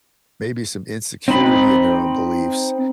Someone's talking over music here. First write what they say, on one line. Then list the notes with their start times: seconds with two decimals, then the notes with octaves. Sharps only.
maybe some insecurity in their own beliefs.
1.28 C4 D#4 B5